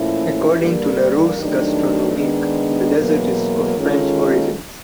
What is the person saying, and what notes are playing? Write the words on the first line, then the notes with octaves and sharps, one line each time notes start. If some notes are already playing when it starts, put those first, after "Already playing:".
According to "Larousse Gastronomique" the dessert is of French origins.
Already playing: A#2 F3 A3 C#4 E4
G2 D3 G3 A#3
G2 D#3 F#3 A3 D4
D#3 G#3 B3 D4
E2 B2 F#3 A#3
D#3 G#3 C#4 F4 A4